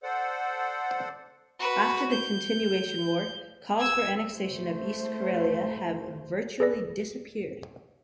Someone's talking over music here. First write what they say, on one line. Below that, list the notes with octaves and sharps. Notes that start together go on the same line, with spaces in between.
After the Continuation War, calls for annexation of East Karelia have virtually disappeared.
A4 C5 D5 F#5
F#4 B4
G6
E6 G#6
A3 C5
G#4 A4 B4 D5 A#6